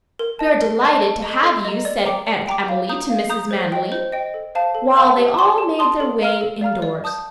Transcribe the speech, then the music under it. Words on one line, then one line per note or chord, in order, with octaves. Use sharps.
"We are delighted to have you," said Aunt Emily to Mrs. Manily, while they all made their way indoors.
A#4
D#5 A5
A#4
D#5 A5
A4
D#5 A#5
A4
D#5 A#5
D5
G5 A#5 D6
D5
G5 A#5 D6
F5
A#5 D#6 G6
F5
A#5 D#6 G6
C5
D#5 G5
C5
D#5 G5
A4
C5 F5 A5
A4
C5 F5 A5
G4
D5 A5 C6 D#6
G4
D5 A5 C6 D#6
A4
D5 F5 A#5 F6
A4
D5 F5 A#5 F6
D5
A5 D#6 G6